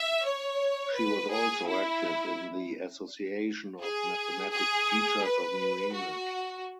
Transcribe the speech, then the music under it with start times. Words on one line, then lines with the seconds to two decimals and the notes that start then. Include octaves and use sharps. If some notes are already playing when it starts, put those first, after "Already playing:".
She was also active in the Association of Mathematics Teachers of New England.
Already playing: E5
0.25 C#5
0.96 B4
1.32 G#4
1.68 E4
3.81 G#4
4.52 G#4
5.24 B4
5.94 F#4